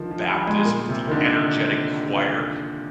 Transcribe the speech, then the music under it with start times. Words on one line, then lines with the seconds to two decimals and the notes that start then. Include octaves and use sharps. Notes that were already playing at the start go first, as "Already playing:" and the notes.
Baptist with the energetic choir.
Already playing: D3 D#3 F3
0.11 F3
0.29 G3
0.47 G#3
0.64 A#2
0.89 C3
1.07 D#3
1.11 D3